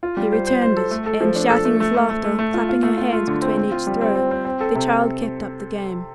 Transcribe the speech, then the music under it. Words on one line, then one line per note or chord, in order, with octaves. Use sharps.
He returned it, and, shouting with laughter, clapping her hands between each throw, the child kept up the game.
F4
G3
C5
C5
C5
A4
A3
A4
F3
D4
A4
A3
A3
A3
A3
A3
A3
F4
F4
A3
F4
F4
D3
C4
C4
F4
G3
C4
C4
C4
C4
A4
C3